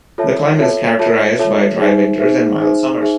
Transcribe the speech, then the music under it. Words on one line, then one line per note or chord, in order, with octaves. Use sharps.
The climate is characterized by dry winters and mild summers.
F4 A4 C#5 E5 A5
F4 A4 C#5 E5 A5
F4 A4 C#5 E5 A5
F4 A4 C#5 E5 A5
D#4 G#4 C5 E5
D#4 G#4 C5 E5
D#4 G#4 C5 E5
D#4 G#4 C5 E5